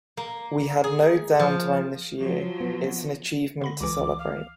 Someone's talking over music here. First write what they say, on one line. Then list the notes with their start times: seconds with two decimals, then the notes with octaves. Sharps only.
We had no downtime this year. It's an achievement to celebrate.
0.17 A#3
0.84 G#4
1.39 F3
2.18 F3 F#3
2.60 B3
3.62 D3 B5 A#6
3.80 C#2 E3 D6
4.19 F5